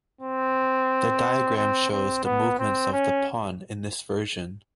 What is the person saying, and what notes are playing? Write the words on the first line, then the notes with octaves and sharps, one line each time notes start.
The diagram shows the movements of the pawn in this version.
C4
C4
C4
B3
C4
C#4